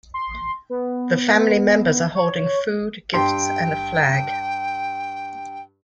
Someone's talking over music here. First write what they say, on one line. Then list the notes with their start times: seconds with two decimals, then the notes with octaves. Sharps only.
The family members are holding food, gifts, and a flag.
0.14 C6
0.70 B3
2.15 C#5
3.14 G2 G4 G5 C6